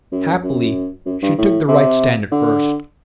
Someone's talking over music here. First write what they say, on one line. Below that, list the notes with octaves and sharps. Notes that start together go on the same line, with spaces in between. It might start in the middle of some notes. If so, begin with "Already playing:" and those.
Happily, she took the right stand at first.
F#2
F#2
F#2
G2
A2
C3
D3